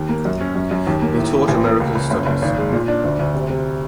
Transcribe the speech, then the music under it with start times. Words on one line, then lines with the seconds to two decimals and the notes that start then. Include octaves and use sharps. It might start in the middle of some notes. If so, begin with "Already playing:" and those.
He taught American studies.
Already playing: D#2
0.09 A#3
0.25 F#2
0.41 C#4
0.56 F#2
0.71 F#2
0.87 D#2
1.02 A#3
1.18 A2
1.33 A2
1.48 A1
1.65 A#3
1.80 C#2
1.95 C#2
2.10 F#1
2.26 F#1
2.42 G#1
2.58 G#3
2.73 A#2
2.88 D4
3.04 D2
3.19 D2
3.34 C3
3.50 C3